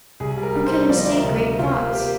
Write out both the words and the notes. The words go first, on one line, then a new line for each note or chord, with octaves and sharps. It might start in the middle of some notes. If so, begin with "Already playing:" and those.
"Who can mistake great thoughts?"
C2 G#4
G3
A#4
G3
C5
G3
F3 D5
D#5
D2 D5
A#4
C3
D2
C3 F4
A#3
A#3 G4